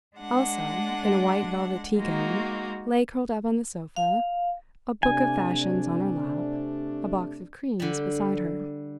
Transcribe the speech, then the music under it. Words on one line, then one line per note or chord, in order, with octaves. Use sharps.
Elsa, in a white velvet tea-gown, lay curled up on the sofa--a book of fashions on her lap, a box of creams beside her.
G#3 D4 F#5
G#3 A#3 D#4 F#4
F5
C3 A3 D4 G#5
D3 G3